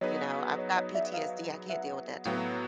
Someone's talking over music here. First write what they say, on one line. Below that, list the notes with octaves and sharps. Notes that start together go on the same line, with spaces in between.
you know? I've got PTSD, I can't deal with that too.
F#3 B3 D#4 G#4 B4 C#5 D#5
C#5 D#5
C#5 D#5
D5 E5
D#5 F5
E5 F#5
A2 F#3 B3 F5 G5